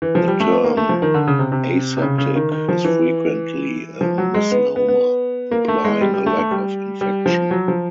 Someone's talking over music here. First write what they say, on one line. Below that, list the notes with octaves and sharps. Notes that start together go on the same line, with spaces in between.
The term "aseptic" is frequently a misnomer, implying a lack of infection.
E3
F3
G3
A3
B3
A#3
A3
F3
D#3
D3
C#3
C3
C3
C3
C#3
C#3
D#3
D#3
F3
E3
F3
F#3
G#3
B3
B3
B3
A#3
A3
G#3
G3
G3
A3
A3
G3
G3
F3
F#3
F3